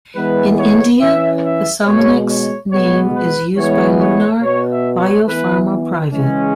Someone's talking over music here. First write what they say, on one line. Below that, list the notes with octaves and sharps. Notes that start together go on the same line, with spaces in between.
In India, the Sominex name is used by Lunar BioPharma Pvt.
E3 G#3 B3 B4
C#5
E3 C#4 E5
E5
B2 G#3 B3 C#5
C#5
B2 G#3 B3 C#5
B4
E3 G#3 B3 C#5
C#5
B2 B3 C#5
E5
C#5
E3 B3 B4
C#3 E3 G#3 C#4